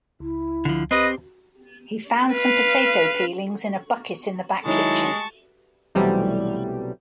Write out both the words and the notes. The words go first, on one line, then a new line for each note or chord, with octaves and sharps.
He found some potato peelings in a bucket in the back kitchen.
C#2 E4
D3 F3
C4 G4 B4 D#5
B4 F5
D#3 F#3 G#3 D#4 E4 A5 C#6
B1 C3 E3 F#3 G3 A3